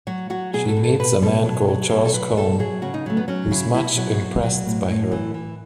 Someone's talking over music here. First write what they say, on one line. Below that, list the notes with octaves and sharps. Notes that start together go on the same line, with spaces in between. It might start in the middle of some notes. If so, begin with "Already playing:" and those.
She meets a man called Charles Cohn who is much impressed by her.
F#3 F#4
F#3 F#4
B2 G#4
A4
B2
A4
B2 B4
B2 A4
F#3
F#3
B2 A4
A4
F#3 B4
B2 A4
F#3 G#4
C#3 F#4
D#4
F#3 A3
B3
F#3 C#4
C#3 E4
B2 E4
F#3
B2
F#3
A2
A2
E3
E3